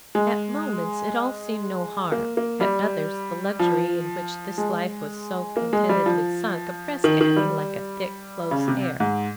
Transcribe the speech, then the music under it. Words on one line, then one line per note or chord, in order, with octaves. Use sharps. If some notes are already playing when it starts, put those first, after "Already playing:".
At moments it all seemed no harm; at others, the luxury in which this life was so contentedly sunk oppressed Annie like a thick, close air.
G#3
A#3
A#3
G3
F3
G#3
A#3
G#3
G3
F3
D#3
D#3
G3
C#3
C3
G#2